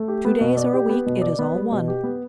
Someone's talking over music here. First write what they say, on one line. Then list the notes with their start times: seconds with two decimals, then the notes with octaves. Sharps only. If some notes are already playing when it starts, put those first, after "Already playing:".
Two days or a week, it is all one.
Already playing: A3
0.08 G4
0.25 B3
0.41 B2
0.57 D5
0.73 G4
0.89 B3
1.06 B2
1.22 D5
1.39 B3
1.55 G3
1.71 B2
1.88 G4
2.04 B3